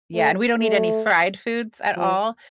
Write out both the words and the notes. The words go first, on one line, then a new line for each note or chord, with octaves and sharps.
Yeah, and we don't eat any fried foods at all,
A3
A3
F3